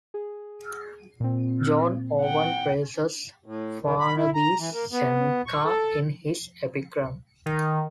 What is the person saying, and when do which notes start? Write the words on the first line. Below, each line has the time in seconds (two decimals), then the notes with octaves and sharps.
John Owen praises Farnaby's Seneca in his 'Epigrams.
0.14 G#4
1.20 A#2 C4
2.21 F#5 G5
3.46 A2
3.83 D#3
4.00 B5
4.17 E4
4.34 A#5
4.59 E3
4.73 A#3
4.92 B3
5.46 C#6
5.65 A4
7.46 D#3